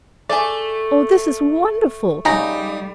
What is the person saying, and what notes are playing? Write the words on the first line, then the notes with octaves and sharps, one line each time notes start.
Oh, this is wonderful!
A3 G#4 D5
C#3 G3 D#4 F#5 A#5